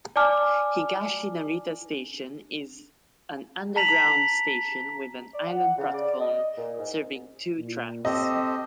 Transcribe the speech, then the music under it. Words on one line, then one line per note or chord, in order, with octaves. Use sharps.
Higashi-Narita Station is an underground station with an island platform serving two tracks.
D5 G#5 A5 D6 F6
A5 A#5 B6 F7 F#7
D5
F#5
C#3
D5
D#5
A#2
G#2
A#2
C4 G4 A4 C5 D#5